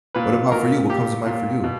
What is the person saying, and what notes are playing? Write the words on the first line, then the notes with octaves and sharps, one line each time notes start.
what about for you? What comes to mind for you?
A#2 B4
A#2 A#4
A#2 G4
A#2
B2